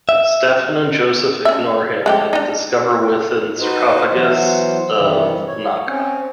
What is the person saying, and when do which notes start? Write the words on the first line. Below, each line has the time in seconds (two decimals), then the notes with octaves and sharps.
Stephen and Joseph ignore him, and discover within the sarcophagus of Ananka.
0.09 E5
1.45 C#4 E5
2.06 G#3 A3 G4
2.33 D4 D#4
3.59 D#4 F#4 B4 C5 D#5
4.13 E3 F#3 B3 C5
4.95 G2 C3 D#3 E3 G3
5.47 C#5
5.87 C4 C#4